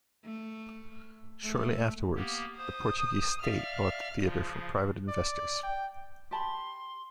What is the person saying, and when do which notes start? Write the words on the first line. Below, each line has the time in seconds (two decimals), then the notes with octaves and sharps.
Shortly afterwards, the Portuguese state bought the theatre from private investors.
0.24 A3
1.43 A3
2.15 A#3 B3 G4
2.57 C5 D#6
3.43 D5 E5 F5 F6
4.24 C#3 F3 F4
5.08 D5
5.63 G5
6.31 G4 A5 B5 C6